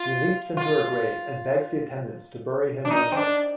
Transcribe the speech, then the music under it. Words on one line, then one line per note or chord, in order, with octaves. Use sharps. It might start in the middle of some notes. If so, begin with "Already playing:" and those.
He leaps into her grave and begs the attendants to bury him with her.
Already playing: F4
F4
D4
D#4
C4
D4